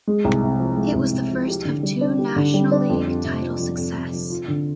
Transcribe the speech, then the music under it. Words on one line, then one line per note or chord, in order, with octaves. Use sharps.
It was the first of two National League title success.
G#3
C2
C3
F3
G#3
C2
C3
F3
G4
D3
G3
D4
G4
D3
G3
D4
F2
F2
C3
F3
F2
F2
C3
F3
F4
D3